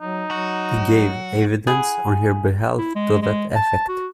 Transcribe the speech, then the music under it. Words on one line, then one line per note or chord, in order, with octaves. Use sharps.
He gave evidence on her behalf to that effect.
F#3 D#4
F#3 F#4
E4 G#4 F#5
E4
G#3
G#3
A5
F#4